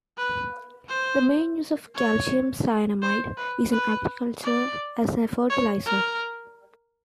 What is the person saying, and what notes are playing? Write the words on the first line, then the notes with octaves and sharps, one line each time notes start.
The main use of calcium cyanamide is in agriculture as a fertilizer.
B4
C5
C#5
C5
B4
B4
D5
C#5
A#4